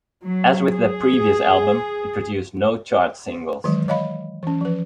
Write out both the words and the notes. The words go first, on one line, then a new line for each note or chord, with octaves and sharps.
As with their previous album, it produced no chart singles.
F#3
G#4
D#3 E3 F#3 G#3
C#5 D#5 F5 B5
E3 C#4
F3 B4